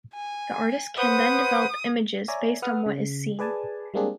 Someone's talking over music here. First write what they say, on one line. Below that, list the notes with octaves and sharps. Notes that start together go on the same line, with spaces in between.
The artist can then develop images based on what is seen.
G#5
B4 C5 F#5 D#6
C#5 D5 E5 G#5 A#5
B4 F#5 D#6 F6
C#3
G#4 B4 D5 G#5 A5
G3 G#3 A#3 C4 D4 G#4